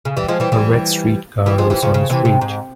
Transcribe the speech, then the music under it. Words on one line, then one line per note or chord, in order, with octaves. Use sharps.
A red streetcar is on the street.
C#3
E3 G3
F3 G#3
E3 G3
E3 G3
E3 G3
F3 G#3
E3 G3
C#3 F3
C#3
C3 E3
C3
G#2